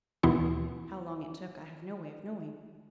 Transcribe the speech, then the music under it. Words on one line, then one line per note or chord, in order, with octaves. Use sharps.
How long it took I have no way of knowing.
D#2 B2 E3 B3 E4 C6